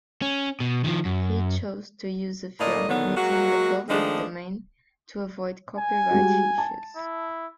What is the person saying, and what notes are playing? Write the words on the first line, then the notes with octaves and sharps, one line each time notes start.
He chose to use a film within the public domain to avoid copyright issues.
C#4
B2
D#3 F3
F#2
A2 D3 A#3 D5 D#5
A#2 D3 D#3 F#3 B3
F#3 G#3 A#3 F#4
D#3 F3 G#3 A3 D4
G#5
G3 G#3 F#4
A5
E4